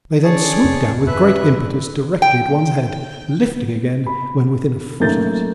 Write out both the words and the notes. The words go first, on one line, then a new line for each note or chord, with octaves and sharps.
They then swoop down with great impetus directly at one's head, lifting again when within a foot of it.
C#4 G#4 C#5 D5 A5
E2 C3 C4
F#2 C#4 B4 E5 F#6
G5
B5
F#2 A3 A#3 D#4 G6 A6